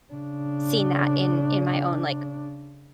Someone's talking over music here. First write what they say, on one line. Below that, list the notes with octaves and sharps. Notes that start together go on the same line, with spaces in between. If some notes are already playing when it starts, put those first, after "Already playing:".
seen that in in my own, like,
C#3 D4